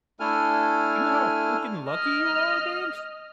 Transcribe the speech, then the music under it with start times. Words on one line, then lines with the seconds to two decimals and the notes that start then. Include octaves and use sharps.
You know how freaking lucky you are, man?
0.20 A3 D4 E4 A4 G#5 F6
1.90 D#5 F6